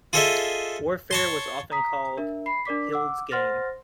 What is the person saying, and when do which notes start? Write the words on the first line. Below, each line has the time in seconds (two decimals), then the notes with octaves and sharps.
Warfare was often called Hild's Game.
0.13 F4 G#4 A4 C5 D#5 E5
1.11 C#5 A5 C6
1.72 A#5 D#6 B6
2.17 D4 A#4 E5
2.46 B5 C7
2.65 D4 A#4 D5 D6 B6
2.92 F#5 D6 E6
3.31 C5 F#5 C6 F6 A6 A#6